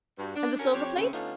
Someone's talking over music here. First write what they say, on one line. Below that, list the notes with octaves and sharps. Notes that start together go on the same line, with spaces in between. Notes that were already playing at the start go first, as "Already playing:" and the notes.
"And the silver plate?"
G2 F#4
D4
C#4 D4 F#4 A#4
F2 C4 G4 C#5
D#2 C#3 A3 C4 C#4
D3 A3 B3 C#4 D#4 F4